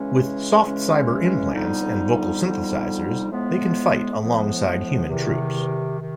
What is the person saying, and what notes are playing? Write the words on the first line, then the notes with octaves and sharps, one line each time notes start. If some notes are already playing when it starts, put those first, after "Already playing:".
With soft-cyber implants and vocal synthesizers they can fight alongside human troops.
Already playing: C#3 E3 G#3 C#4
C#3 E3 G#3 C#4
F2 D3 G3 B3 D#4
F2 D3 G3 B3 D#4
A2 F3 G#3 B3
A2 F3 G#3 B3
E2 C3 D#3
C3 D#3